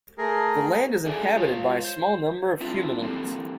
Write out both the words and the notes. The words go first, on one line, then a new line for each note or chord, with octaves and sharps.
The land is inhabited by a small number of humanoids.
A3 G#4 A#4
G#4 A4 D5 E5 G5 G#5
F4 C#5 D#5 F5
C5
C4 D4 E4 F4 E5
A#3 C4 E4 G4 A4